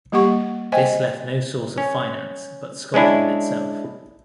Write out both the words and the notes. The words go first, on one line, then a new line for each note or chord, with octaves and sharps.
This left no source of finance but Scotland itself.
G3 A#3 G4 F#5 C#6
C5 D#5 G5 G#5
C#4
G#3 C#4 D4 E4